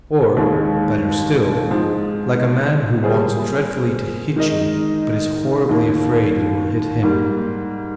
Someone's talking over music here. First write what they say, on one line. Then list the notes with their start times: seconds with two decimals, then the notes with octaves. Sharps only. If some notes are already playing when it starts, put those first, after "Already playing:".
Or, better still, like a man who wants dreadfully to hit you but is horribly afraid you will hit him.
0.37 D#2 D#3 G#3
1.70 G#2 F3 G#3
3.03 G3 A#3 F4 G#4 C5
4.36 D#3 G#3 D#4 A#4 D#5
5.69 D#2 D#3 A#3
7.02 G#2 G3 A#3